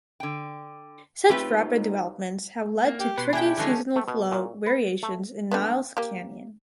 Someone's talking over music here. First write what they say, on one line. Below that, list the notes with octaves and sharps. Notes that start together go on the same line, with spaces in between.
Such rapid developments have led to tricky seasonal flow variations in Niles Canyon.
D3 G5
B2 F#3 A3 C4 D#4 F4 G4 B4
A#3
G4
B2 B4 C6
D4 E4 G4 G#4 G5
D3 E3 F3 G#3 A3 C#4
A3
B2
A#2
B4
A3
D3 A3 B3
A#3 G4